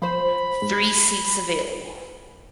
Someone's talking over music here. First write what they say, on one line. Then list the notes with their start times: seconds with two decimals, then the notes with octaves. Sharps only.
Three seats available.
0.02 F3 C5 B5
0.62 G#2